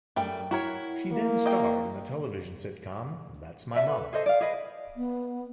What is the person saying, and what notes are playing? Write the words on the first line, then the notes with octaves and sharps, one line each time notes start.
She then starred in the television sitcom "That's My Mama".
F#2 G3 A3 G5
E4 F#4 A#4 C#5
A#3
D#5 G5
D5 E5 A5
A4 B4
G#4 A4 C5 D#5
D5 F5
G#4 B4 D#5
B3